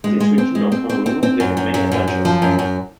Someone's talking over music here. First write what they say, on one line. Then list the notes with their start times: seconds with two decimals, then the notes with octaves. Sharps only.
In this region of Honolulu, they had many adventures.
0.04 G#3
0.20 G#3
0.38 C4
0.55 G#3
0.72 C4
0.89 C4
1.06 C4
1.23 C4
1.40 F#2
1.57 F#2
1.74 F#2
1.91 F#2
2.08 F#2
2.25 F3
2.42 F#2
2.59 F#2